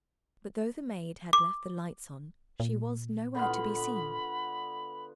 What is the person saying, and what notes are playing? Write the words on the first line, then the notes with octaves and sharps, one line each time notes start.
But though the maid had left the lights on, she was nowhere to be seen.
D6
A#2
D3 B3 F4 B5